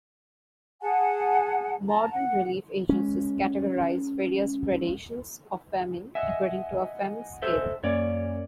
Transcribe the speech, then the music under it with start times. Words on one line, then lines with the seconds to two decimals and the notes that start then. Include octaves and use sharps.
Modern relief agencies categorize various gradations of famine according to a famine scale.
0.82 G#4 F#5 G#5 A5
1.88 A5 A#5
2.12 F#5
2.89 G#3 C#4
6.15 D#5 E5 F#5 G#5
7.42 A4 C5 E5
7.84 F#2 A#3 C#4 C#5 D5